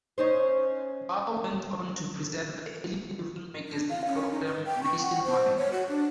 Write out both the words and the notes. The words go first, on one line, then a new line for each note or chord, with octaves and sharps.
Bough went on to present the early evening magazine programme "Nationwide".
C#4 D#4 C5
D4
F5
C#4
D#4
B4
G5
C#6
F#5
C5
C#5
F#4
D4